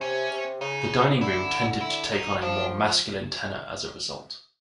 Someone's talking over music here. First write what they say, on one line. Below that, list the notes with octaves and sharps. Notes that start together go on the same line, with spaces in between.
The dining room tended to take on a more masculine tenor as a result.
C3 C#4
C3
C#3 D#4
D3 E4
E4
D#4
F3 D4